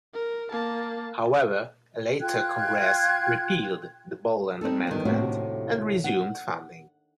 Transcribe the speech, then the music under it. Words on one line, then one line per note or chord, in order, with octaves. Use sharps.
However, a later Congress repealed the Boland Amendment and resumed funding.
A#4
A#3 A5
F4 G5 F#6 G#6
G3 C4 D#4 A4
E2 G2 D#3
D#2 A2 C3 A3 D4 F#4
F#5